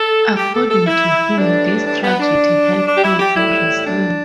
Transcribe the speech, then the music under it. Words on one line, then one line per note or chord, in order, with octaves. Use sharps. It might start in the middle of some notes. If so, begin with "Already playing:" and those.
According to him, this tragedy helped him in wrestling.
Already playing: A4
G4
A4
A4
E4
A2 E3 G3 D4
D4
B3
D4
D4
G4
E4
G4
A2 G3 E4
D4